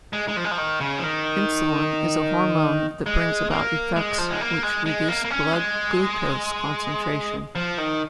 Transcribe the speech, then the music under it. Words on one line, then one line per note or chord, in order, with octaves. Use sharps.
Insulin is a hormone that brings about effects which reduce blood glucose concentration.
G#3
G#3
F3
G#3
F3
D#3
C#3
F3
D#3
G#3
A#3
G#3
F3
G#3
A#3
G#3
G#3
A#3
A#3
C#4
G#3
F3
D#3